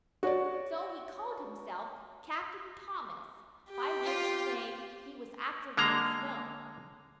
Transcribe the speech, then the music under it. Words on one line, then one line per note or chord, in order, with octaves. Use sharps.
So he called himself Captain Thomas, by which name he was afterwards known.
F#4 C#5 D5
G4
F4
D3 G#3 A#3 A#5